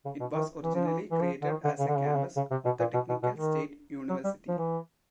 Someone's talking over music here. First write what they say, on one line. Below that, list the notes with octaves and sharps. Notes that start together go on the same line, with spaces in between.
It was originally created as a campus of the Technical State University.
C#3
B2
D#3
E3
F3
E3
E3
F3
D3
D#3
D3
C#3
D3
C#3
D3
C#3
C#3
C3
B2
A#2
B2
B2
B2
D#3
F#3
G3
F3
E3